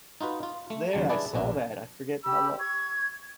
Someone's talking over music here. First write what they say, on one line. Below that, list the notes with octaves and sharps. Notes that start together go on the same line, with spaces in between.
was there, I saw that, I forget how lo
D#4 F4 F#4 B4
F4
A3
D#2 C#3 F#3 G3 A5
D4 E4 G#4 B4 D5 A5
A#1 B2 D4
G4 B5 E6
C#6 G#6